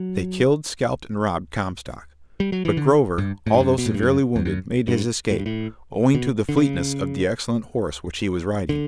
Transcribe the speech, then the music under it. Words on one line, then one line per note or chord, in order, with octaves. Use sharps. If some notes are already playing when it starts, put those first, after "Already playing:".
They killed, scalped and robbed Comstock; but Grover, although severely wounded, made his escape, owing to the fleetness of the excellent horse which he was riding.
Already playing: F#3
G3
F#3
E3
D3
G2
A2
G2
F#2
B2
A2
G2
F#2
E2
F#2
G2
A2
G2
A2
B2
D3
C#3
D3